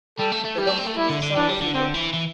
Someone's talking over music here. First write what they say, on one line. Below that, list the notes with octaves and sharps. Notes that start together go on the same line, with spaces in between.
The community is south of Hilo.
G3 A4
A3
A3
G3 G4
A3
C4
A3
G3 E4
D3
D3
E3 D4
G3
D3
D3 C4
E3
E3